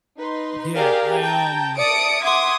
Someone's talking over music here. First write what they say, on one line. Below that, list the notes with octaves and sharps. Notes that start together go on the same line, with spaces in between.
Yeah, I, um
D#4 B4 C6
G4 G#4 A#4 D5 F5 A#5
G5 A5 A#5 G6
D5 E5 A5 D#6 C#7 D7
E5 F#5 C6 D6 D#6 G#6